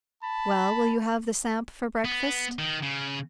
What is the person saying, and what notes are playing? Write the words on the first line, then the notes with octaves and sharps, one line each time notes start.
"Well, will you have the samp for breakfast?"
A5 B5
B3
D#3
C#3